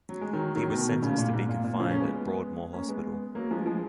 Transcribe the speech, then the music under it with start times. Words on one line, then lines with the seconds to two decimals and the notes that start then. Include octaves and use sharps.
He was sentenced to be confined at Broadmoor Hospital.
0.09 F#3
0.21 G#3
0.33 D#3 F#3
0.56 D#3 F#3
0.71 B2 D#3
0.87 B2 D#3
1.02 A#2 C#3
1.18 A#2
1.33 G#2
1.49 A#2
1.64 A#2
1.80 C#3 F3
1.90 A#3 C#4
2.01 G#3 B3
2.73 A#3 C#4
2.88 G#3 B3
3.35 F#3 A#3
3.51 F3 G#3
3.66 F3 G#3